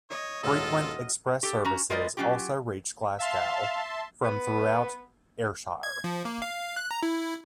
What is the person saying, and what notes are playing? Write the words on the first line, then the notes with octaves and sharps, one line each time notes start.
Frequent express services also reach Glasgow from throughout Ayrshire.
C#5 D#5
D#1 G#2 F#3 E4 F4 A4 C5 F6
G4 A4
C#4 F#4 A#5
G#3 F4 A#4 B4 D5 D#5
F#3 A3 C#4 F4 G4
E5 F5 A5 C6
B3
G#6
F3
A#3
F5
F#6
A#5
E4